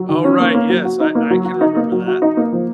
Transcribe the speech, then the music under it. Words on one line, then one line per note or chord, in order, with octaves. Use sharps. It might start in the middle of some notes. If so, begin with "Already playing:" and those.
Oh, right, yes, I I can remember that.
Already playing: F#3
D#3
C#4
A#3
A#3
F#3
F#4
D#4
A#3
F#3
F#4
D#4
A#3
F#3
F#4
D#4
A#3
F3